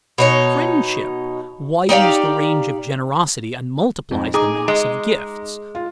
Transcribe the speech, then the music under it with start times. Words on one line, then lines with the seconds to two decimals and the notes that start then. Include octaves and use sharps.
Friendship widens the range of generosity and multiplies the mass of gifts.
0.18 B2 D#4 C#5
1.89 D#4 G4 D5 F5
4.11 F2 G#2
4.34 D#4 G#4 A#5 D6
4.68 G#3
5.75 F4